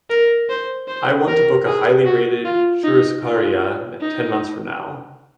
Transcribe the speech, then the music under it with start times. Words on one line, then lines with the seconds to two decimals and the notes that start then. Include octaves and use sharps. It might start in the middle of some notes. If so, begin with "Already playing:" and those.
I want to book a highly rated churrascaria ten months from now.
0.10 A#4
0.49 C5
0.88 C5
1.28 A#4
1.67 G#4
2.05 F#4
2.45 F4
2.84 D#4
3.23 F4
4.01 D#4